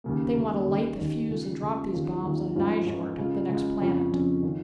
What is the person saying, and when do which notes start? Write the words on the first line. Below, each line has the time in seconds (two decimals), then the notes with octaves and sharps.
They want to light the fuse and drop these bombs on Nyjord, the next planet.
0.04 D#2 C#3 A#3
0.35 D#2 C#3 A#3
0.67 D#2 D#3 C#4
0.98 D#2 D#3 C#4
1.29 D#2 C#3 G#3 F4
1.60 D#2 C#3 G#3 F4
1.93 D#2 D#3 C#4 F4
2.23 D#2 D#3 C#4 F4
2.55 G#2 F3 C#4 F4
2.86 G#2 F3 C#4 F4
3.17 C#3 G#3 F4
3.48 C#3 G#3 F4
3.80 F2 C#3 F3 C#4
4.12 F2 C#3 F3 C#4
4.43 D#3 C#4 F4